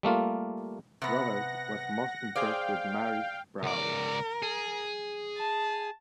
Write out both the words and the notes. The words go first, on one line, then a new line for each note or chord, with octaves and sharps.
Robert was most impressed with Mary's prowess.
G3 A3 A#3 F4
C3 B3 F#5 A#6
G#4 C5 D5 F5 G5
C#2 A#4 D5
G#4
A5